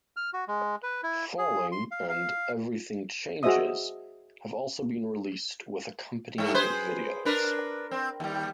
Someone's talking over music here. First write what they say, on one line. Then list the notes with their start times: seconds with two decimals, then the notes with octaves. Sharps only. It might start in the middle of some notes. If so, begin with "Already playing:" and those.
"Falling" and "Everything Changes" have also been released with accompanying videos.
0.17 F6
0.33 F#4
0.48 G#3
0.83 B4
1.03 E4
1.38 G#4
1.72 C6
1.91 F5
2.09 F5
3.43 F#4 G#4 C5 D#5 E5 D#6
6.38 G#2 A3
6.54 G#4 B4 C5
7.25 D4 A#4 B4
7.91 C4
8.20 D#2 G3